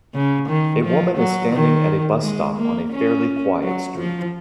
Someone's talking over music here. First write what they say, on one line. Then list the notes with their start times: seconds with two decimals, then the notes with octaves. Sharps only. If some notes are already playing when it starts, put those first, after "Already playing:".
A woman is standing at a bus stop on a fairly quiet street.
0.14 C#3
0.49 D#3
0.84 F3
1.17 F#3
1.53 D#3
2.22 G#3
2.57 A#3
2.92 C#4
3.62 F#3
3.97 F3